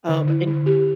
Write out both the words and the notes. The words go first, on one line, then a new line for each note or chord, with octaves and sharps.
Um, and
D3
E4
D3
G4